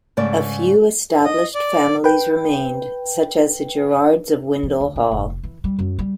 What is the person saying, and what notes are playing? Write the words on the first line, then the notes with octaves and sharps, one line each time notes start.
A few established families remained, such as the Gerards of Windle Hall.
G#2 C#3 A3 D5
D#5
D5
B4 G5
F3
D2
A#2
F1
E3
G3
F#2
G3